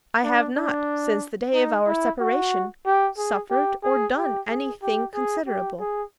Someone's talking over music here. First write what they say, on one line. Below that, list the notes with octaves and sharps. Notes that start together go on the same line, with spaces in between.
I have not, since the day of our separation, suffered or done any thing considerable.
D4
D4
D#4
E4
F#4
G4
G#4
G4
G#4
G4
G#4
G4
G#4
G4
G#4